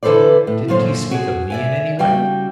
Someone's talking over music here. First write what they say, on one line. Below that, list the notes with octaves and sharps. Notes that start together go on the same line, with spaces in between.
"Didn't he speak of me in any way?"
D3 E3 A4 B4 C5 D5
A2
F#2 A#2 D3 C5 C#5
F#4 G#4
D5 E5 G#5
C#3 G3 F#4 G5